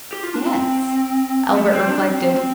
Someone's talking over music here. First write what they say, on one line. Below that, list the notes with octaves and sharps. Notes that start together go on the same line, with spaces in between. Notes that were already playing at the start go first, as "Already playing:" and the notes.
"Yes."--Albert reflected.
G4
F4
D4
C4
A3
C4
D4
C4
C4